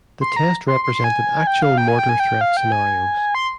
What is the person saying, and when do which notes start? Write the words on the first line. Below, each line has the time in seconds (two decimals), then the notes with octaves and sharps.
The test represented actual mortar threat scenarios.
0.21 C6
0.36 A#5
0.68 C6
0.84 C6
0.95 C6
1.04 G#5
1.47 G5
1.62 F5
1.78 G5
1.88 G#5
1.99 G5
2.09 G#5
2.20 G5
2.41 F5
2.57 G5
2.72 G#5
3.35 C6